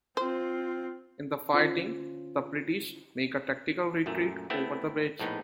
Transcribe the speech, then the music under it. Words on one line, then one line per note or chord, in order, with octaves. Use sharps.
In the fighting, the British make a tactical retreat over the bridge.
C4 F4 C5
D3 C#4 F4 C5
F#2 A#2 A3
A3 B3 C4 E4
A#1 A2 B3 D#4